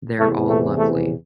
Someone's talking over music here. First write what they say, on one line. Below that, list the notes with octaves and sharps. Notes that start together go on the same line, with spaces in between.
They're all lovely.
E2 C3 E3 A3
A3
A3